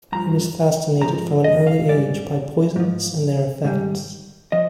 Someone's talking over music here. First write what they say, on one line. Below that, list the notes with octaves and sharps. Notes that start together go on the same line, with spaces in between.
He was fascinated from an early age by poisons and their effects.
G2 F3 A#5
G#2 F3 A#5
D#5
F5
G#2 G3 D5
G#2 F3
G#2 D#3 G3
F3 D#5